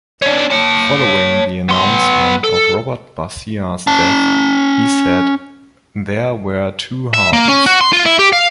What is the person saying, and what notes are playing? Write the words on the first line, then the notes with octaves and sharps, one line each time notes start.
Following the announcement of Robert Barcia's death he said: There were two Hardys.
C#4 D4
C#5 A5
B3 C6
A4
C#4 A5
E5
A#3
C#4
F#4
C6
F4
E4
G4
F5